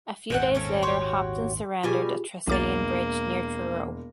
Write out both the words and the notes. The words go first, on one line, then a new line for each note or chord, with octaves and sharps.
A few days later Hopton surrendered at Tresillian Bridge near Truro.
G#1 D#2 A#2 G#3 C4 F#5
A3 C4 C#4
F#4 G4 C#5 C6
B2 G3 F4 G4 G#4 G#5
E1 B1 A#3 D6 A6